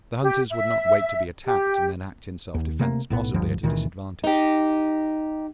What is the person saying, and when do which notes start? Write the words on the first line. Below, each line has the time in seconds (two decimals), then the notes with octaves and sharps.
The hunters would not wait to be attacked and then act in self-defense, possibly at a disadvantage.
0.22 G4
0.50 E5
1.45 G4
2.54 D#2
2.80 C3 A3 A#3
3.10 B1 A2 B3
3.34 G#1 D2 G2 F3
3.63 C#2 A#2 D#3 E3
4.24 D#4 G4